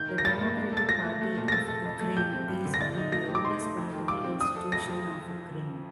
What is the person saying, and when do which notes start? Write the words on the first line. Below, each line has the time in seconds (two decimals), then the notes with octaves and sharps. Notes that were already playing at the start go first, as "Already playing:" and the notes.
The Democratic Party of Ukraine is one of the oldest political institutions of Ukraine.
Already playing: D#3 G6
0.09 A#4
0.18 A#6
0.24 G2 A6
0.41 A#3
0.57 D4
0.73 A4 A6
0.89 F3 A#6
1.04 A3
1.21 A3
1.37 A#2
1.48 A#6
1.52 A4 A6
1.68 A4
1.85 F2
2.01 A3
2.16 G4 G6
2.33 C4
2.48 G2
2.65 D3
2.74 A#6
2.81 D5 A6
2.97 D#4
3.12 A3 A#6
3.29 G4
3.35 D6
3.45 D#4 C6
3.61 A3
3.77 F2
3.93 D#3
4.08 F4 D6
4.24 C4
4.41 D4 D#6
4.56 A4
4.72 F2 A#6
4.88 F3